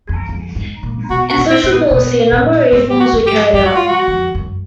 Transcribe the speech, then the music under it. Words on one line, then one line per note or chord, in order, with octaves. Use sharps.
In social policy, a number of reforms were carried out.
F2
F2
G#2
A#2
B2 F#4
F#4
A#2
C4
A#2 C4
B3
B2 B3
A#2
A2 C4
G4
F#4
G#2
G4
G#2 G4
F#4
F4
F#4
F2
F#2